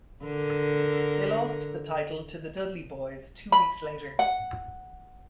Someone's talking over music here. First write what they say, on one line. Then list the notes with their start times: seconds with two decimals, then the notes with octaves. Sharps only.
They lost the title to the Dudley Boyz two weeks later.
0.24 D3 A#4
3.52 B5
4.19 F#5